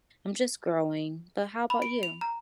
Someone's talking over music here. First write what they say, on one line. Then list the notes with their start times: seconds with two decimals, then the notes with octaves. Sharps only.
I'm just growing, but how 'bout you?
1.70 B5
1.82 D7
2.03 F7
2.21 A#5